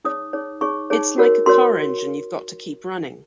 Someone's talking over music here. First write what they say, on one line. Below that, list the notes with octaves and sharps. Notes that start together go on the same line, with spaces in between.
It's like a car engine you've got to keep running.
D#4 G#4 C#5 D#6
D#4 G#4 C#5
D#4 G#4 C#5 C#6
D#4 G#4 C#5
F#4 A#4 C#5
F#4 A#4 C#5 C6